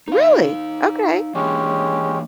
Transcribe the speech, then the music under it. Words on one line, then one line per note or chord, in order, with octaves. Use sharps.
Really? Okay.
D#4 F5
E3 G#3 A#3 C#4 D4 G4